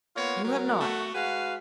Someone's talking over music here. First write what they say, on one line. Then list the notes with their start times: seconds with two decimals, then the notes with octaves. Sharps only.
You have not.
0.16 A#3 B3 F4 C#5
0.44 F#3 A#4
0.79 A3 F#4
1.14 G#3 F#4 B4 F5